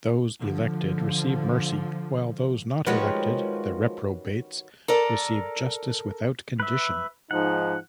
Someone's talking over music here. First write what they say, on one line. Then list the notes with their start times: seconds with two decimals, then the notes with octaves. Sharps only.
Those elected receive mercy, while those not elected, the reprobates, receive justice without condition.
0.41 D3 F3
2.87 D#3 F3 G3 G#3 C#4 F#4 B4 G5
4.88 A4 A#4 D5
6.60 B4 E5
7.31 G#2 F3 D#4 F#5